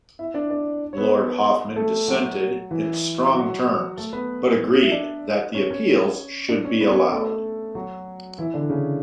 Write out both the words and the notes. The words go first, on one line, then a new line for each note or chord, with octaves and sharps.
Lord Hoffmann dissented in strong terms, but agreed that the appeals should be allowed.
E4 E5
D4 D5
D4 D5
C#5
B3 B4
A3 A4
F#3 F#4
E3 E4
F#3 F#4
A3 A4
B3 B4
E5
D4 D5
C#4 C#5
C#4 C#5
D4 D5
C#4 C#5
B3 B4
C#4 C#5
A3 A4
F#3 F#4
E3 E4
D3 D4
C#3 C#4